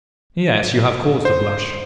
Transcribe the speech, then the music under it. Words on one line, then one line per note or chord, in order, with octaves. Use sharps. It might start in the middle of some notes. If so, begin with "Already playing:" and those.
Yes; you have cause to blush.
C5